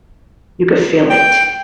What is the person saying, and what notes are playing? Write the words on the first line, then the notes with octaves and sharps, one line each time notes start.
you could feel it.
G5